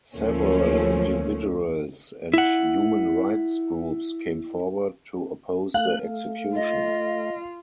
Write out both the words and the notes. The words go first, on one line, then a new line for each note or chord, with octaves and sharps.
Several individuals and human rights groups came forward to oppose the execution.
D2 F3 A3 A#3 C#4
E4 F#5
A3 F5 F#6
A3
F4 D#5